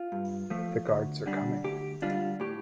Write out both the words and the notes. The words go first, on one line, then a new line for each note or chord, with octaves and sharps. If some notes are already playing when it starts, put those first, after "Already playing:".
The guards are coming.
Already playing: F4
G2
F3 A3
D2
D3 G3 D4
D2 G4
D3 G3 D4 F4
A2 G4